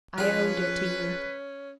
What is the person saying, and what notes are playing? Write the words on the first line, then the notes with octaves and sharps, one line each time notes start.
"I owed it to you."
F3 C#4 F4 G#4 B4